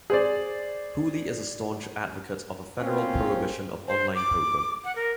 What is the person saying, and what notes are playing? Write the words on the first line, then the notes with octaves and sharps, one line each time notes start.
Hooley is a staunch advocate of a federal prohibition of online poker.
G#4 C5 D5
A#3 C4 C#4 F4
C5
D6
F#5
A#4